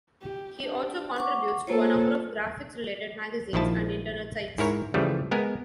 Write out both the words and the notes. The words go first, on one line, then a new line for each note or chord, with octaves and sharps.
He also contributes to a number of graphics-related magazines and Internet sites.
G4
D4 G4
F#5 C#6 D6
A#3 F4 A4 C5 C#5
A#1 D#3 F3 E4 A5
G#2 E4 A#4 C#5
C#3 E3 F3 G3 A3
G#3 B3 A#4 G#5